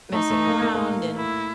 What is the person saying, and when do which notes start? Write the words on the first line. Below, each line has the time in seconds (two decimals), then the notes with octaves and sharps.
messing around and
0.12 A3 D#4
0.30 A3
0.48 A#3
0.62 A3
0.74 A#3
1.17 E4